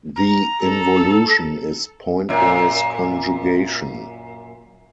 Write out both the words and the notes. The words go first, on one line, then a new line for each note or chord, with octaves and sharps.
The involution is pointwise conjugation.
A#5
A4
F#2 A#2